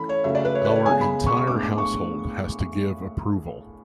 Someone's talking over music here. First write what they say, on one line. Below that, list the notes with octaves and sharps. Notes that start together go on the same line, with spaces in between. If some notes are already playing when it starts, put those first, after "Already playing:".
Our entire household has to give approval.
Already playing: E3 A3 C#4 B5
C#5
C#3 F#3 A3 C#4 E5
D5
B4
C#5
B4
D5
C#5
C#3 G#3 B3 G#5
B5
C#6
C#6
A2 G#3 B3 D4 D6
D6
C#6